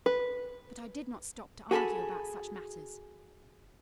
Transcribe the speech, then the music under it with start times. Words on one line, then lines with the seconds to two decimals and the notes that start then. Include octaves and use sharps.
But I did not stop to argue about such matters.
0.06 B4
1.71 F#4 G#4 A4 A5 B5